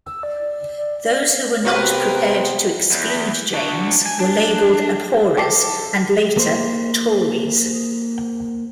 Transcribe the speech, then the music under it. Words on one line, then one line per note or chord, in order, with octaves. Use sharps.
Those who were not prepared to exclude James were labelled "Abhorrers" and later "Tories".
E6
D5
D5
C3 A#3 B3 F#4 B4 C#5
E2
D4 F#4
G#5
D4
A4 G5 D6 C7
A#3 C5